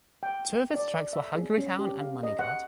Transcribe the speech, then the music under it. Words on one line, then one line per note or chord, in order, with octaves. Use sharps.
Two of its tracks were "Hungry Town" and "Money God".
G5
D5
E5
G#4
C#4
G4
F5
D#5
F#5